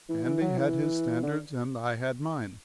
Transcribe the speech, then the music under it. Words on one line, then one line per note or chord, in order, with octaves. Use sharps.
Andy had his standards and I had mine.
E3
E3
F#3
E3
D3